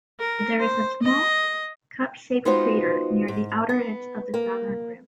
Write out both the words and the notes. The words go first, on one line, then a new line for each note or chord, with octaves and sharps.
There is a small, cup-shaped crater near the outer edge of the southern rim.
A#4
C5
D#5
G#3 B3 D#4 F4 F#4 C5
G#2
B3
A#3